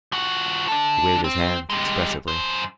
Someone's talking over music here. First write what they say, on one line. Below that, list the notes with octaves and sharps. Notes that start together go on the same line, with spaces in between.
He waved his hand expressively.
F3 F#4
D4 A4
C4
G3 G#3
F#2 C5